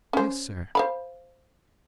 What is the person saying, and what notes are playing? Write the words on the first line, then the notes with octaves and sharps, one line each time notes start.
"Yes, sir."
C#4 C5
C5 F5 B5